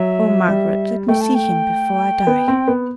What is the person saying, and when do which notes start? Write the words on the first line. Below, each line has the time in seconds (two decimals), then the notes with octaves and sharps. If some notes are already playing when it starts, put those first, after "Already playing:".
Oh, Margaret, let me see him before I die!'
Already playing: F#3 E5
0.48 G3
1.08 A3 G5
1.21 A5
1.35 G5
2.27 B3
2.48 C4
2.68 B3